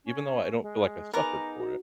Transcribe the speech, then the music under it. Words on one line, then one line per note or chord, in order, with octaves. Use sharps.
even though I don't feel like I suffered for it.
C#4
G#3
B3 D#4 G#4 A#4 A#5 D6
F#4